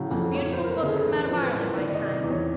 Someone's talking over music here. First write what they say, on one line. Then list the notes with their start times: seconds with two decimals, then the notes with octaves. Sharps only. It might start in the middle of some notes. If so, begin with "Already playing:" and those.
Most beautiful book come out of Ireland my time.
Already playing: A2 C#3 F#3
0.11 F2
0.35 A3 C#5
0.53 C5
0.59 F3 A#4
0.71 B4
0.83 C#3 G#4
0.89 A4
1.01 A4
1.06 A1 A#4
1.24 C5
1.30 F3
1.42 B4
1.54 A2
1.59 A#4
1.77 D#3 D5
1.89 D5
1.95 D#5
2.01 C3
2.24 E2
2.30 C#5